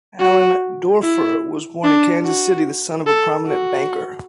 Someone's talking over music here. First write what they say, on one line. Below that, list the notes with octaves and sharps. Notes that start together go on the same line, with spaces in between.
Allendoerfer was born in Kansas City, the son of a prominent banker.
F#4
E4
D4
F#4
A4
F#4